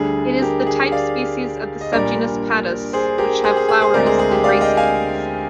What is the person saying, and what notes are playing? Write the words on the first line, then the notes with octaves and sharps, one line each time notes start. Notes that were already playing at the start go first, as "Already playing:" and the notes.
It is the type species of the subgenus "Padus", which have flowers in racemes.
Already playing: D2 D3 G3 D4 G#4
G4 A#4
G#4
D5 F5
D#5
A#1 A#2 G3 A#3 D4 A#4 D5
G#4 C5
G4 A#4
G#4 C5
G#4
G#4
G#4 C5
D2 D3 G#3 C4 A#4 D5
G#4 C5
G#4
G4
D5 F5
D#5 G5
F5 G#5